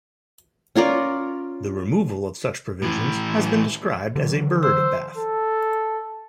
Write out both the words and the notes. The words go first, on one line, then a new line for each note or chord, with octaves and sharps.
The removal of such provisions has been described as a Byrd Bath.
C#4 F4 A#4 D5
A2 E3
D3 E3 F#3
C5 E6
A4